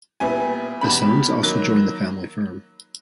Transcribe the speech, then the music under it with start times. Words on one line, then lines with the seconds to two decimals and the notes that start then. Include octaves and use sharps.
The sons also joined the family firm.
0.20 A#2 G3 B3 E4 G#5
0.81 E2 B2 G3 B5
1.43 D#3 F#3 A#3